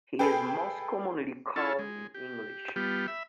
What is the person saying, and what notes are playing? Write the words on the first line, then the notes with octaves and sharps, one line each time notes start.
He is most commonly called in English.
G#4 A4 B4 G5
C#4 E4 F4 A4 A5
G#3
G4
G3 B3 F4 G4
E5 B5